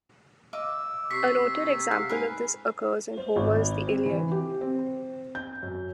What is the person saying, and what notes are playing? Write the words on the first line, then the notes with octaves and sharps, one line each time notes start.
A noted example of this occurs in Homer's "The Iliad".
D#5 F5 D6 E6
C3 C#6 B6 C7
F5 F#5
G#2 A#4 B4 G#5
C5
G#1
C4
E3
G4
C4
G6
F#2